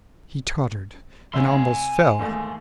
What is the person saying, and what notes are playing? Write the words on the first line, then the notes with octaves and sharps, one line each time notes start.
He tottered and almost fell.
C2 C#4 E5 G#5 C6
D#2 G#2 A3